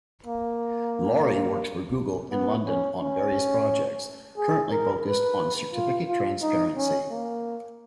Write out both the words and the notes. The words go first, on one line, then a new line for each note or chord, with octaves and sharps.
Laurie works for Google in London on various projects, currently focused on Certificate transparency.
A#3
B3
C#4
C#4
G#4
A#4
B4
F4
F4
D#4
C#4
A#3